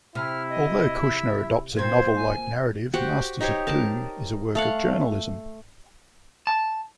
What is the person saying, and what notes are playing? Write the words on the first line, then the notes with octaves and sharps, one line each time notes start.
Although Kushner adopts a novel-like narrative, "Masters of Doom" is a work of journalism.
C3 E4 F6
D#5
E5
A#2 C4 C5 G#6
G#5
F#4 G4 C5 F#5
D#4 G4 C5 C#5
A#4 A5
A3 F5 F#5
A5